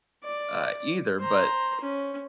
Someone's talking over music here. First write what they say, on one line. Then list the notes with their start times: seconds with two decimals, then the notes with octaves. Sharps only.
uh, either, but
0.24 D5
1.20 C5 A#5
1.81 C#4